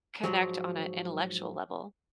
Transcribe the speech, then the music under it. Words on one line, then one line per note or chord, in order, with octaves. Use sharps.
connect on a intellectual level.
G#2 C3 F3 F#3